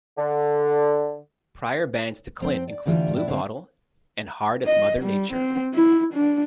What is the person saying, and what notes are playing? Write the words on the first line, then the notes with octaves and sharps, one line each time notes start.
Prior bands to Clint include "Blue Bottle" and "Hard As Mother Nature".
D3
F2 C4 A#4 G5
D5
D2 D3 E3 G3 F4
A2 D4 E4
D3 C4
D#5
G3
C4
E4
D4